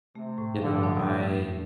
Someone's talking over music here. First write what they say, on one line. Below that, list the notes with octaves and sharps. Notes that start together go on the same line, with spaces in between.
you know, I
C3 A3
A2
D3 F3
D4
A2 A3
F2